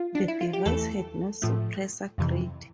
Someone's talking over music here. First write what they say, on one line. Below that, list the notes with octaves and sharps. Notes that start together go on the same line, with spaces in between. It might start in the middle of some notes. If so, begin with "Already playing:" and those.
The device had no suppressor grid.
Already playing: F4
D4
E4
F4
G4
E2 E3 A3 A4
A2 F3 A3
F2 C3 E3